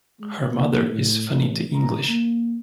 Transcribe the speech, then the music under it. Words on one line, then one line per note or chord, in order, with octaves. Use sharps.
Her mother is Fanita English.
G#3
A#3
A2
A1
A#5
A#3